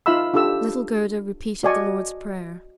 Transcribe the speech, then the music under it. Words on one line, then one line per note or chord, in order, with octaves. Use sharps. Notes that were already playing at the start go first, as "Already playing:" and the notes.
Little Gerda repeated the Lord's Prayer.
D#4 F4 E5 F5 B5 E6
D4 F4 G4 A4 E6
F#4 D5 D#5 G#5 C#6